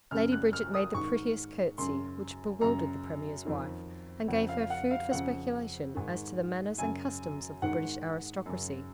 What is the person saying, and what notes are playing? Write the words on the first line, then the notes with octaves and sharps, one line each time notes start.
Lady Bridget made the prettiest curtsey, which bewildered the Premier's wife and gave her food for speculation as to the manners and customs of the British aristocracy.
F#2 C#3 F6
F#6
F6
D#6
G#2 D#3 C#6
F#2 C#3 C6
F#2 C#3 A#5
F2 D#3
F2 C#3 F#5
F5
F#5
F5
F2 C#3 F#5
G#2 D#3
F#2 C#3 G#5
G#2 D#3 F#5
F#2 C#3